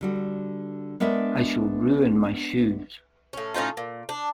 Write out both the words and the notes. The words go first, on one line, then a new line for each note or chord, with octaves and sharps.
I shall ruin my shoes.
D3 G3 F#4
G#3 B3 D4 A#4 B4 E5
A2 C#4
A2 C#4 D#4 F4
A#2
D4